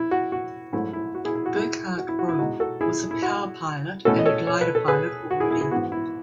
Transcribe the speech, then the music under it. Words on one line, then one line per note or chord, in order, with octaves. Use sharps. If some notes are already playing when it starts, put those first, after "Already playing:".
Burkhart Grob was a power pilot and a glider pilot already.
Already playing: E4
F#4
F#4
G#2 F#3 A3 E4
E4
F#4
E4 G#4
E4
F#4
E4 G#4
F#4
E4
F#4
E4
B2 G#3 D#4 F#4
F#4 A4
E4 G#4
E4
F#4
B2 A3 C#4 E4 F#4 A4
D#5
A4 C#5
C#5
B4
A4
G#4 B4
F#4
E4 G#4
E4 G#4
E4 G#4
G#2 E3 B3 F#4
E4